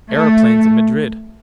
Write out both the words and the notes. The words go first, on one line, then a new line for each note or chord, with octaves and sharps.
Aeroplanes at Madrid!
A3